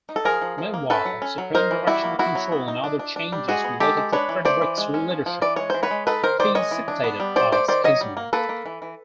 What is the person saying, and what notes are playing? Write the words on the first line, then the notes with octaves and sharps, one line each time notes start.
Meanwhile, Supreme Directional Control and other changes related to Frederick's leadership precipitated a schism.
D#4
A4
F3 G#4 A#4
F3
F3
A#3
C#4 A4 B4
F#3
C#4
F#3
D#4 A#4 C5
E3
G3 E4 F#4
A#3
B3 E4 F#4
F#3
B3
D#4
D4
D4
D4
G3
G#3 F#4 G#4
B3
G#3 G4 A4
G#3
D4 B4 C#5
E3
A3 C5 D5
E3
G#3
C#4
F3
F3
E3 D5
G#3 C#5
E3 C5
B4 C#5
G#3
D#4 A4 B4
D#3 A#4 C5
D#3 C5 D5
G#3 C#5 D#5
E3
D4
B3
G3
F#3 C5 D5
A3 C5 D5
D#3 C5 D5
F#3 C#5 D#5
G3
A#3
A#3 A4 B4
A#3
E3
E3